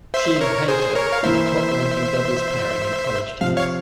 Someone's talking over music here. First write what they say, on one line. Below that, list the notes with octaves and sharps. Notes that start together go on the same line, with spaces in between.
She and Paynter were the top ranking doubles pairing in college tennis.
C5 E5
A#4 C#5
G#4 C5
A#4 C#5
F5
E3 A#3 E4 C5 E5
C3 F3 C4 F5
C#5 F5